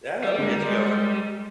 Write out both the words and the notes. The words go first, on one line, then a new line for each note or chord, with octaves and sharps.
Yeah, it'll get you going.
G3
D3 G#3 A#3
G#3 A#4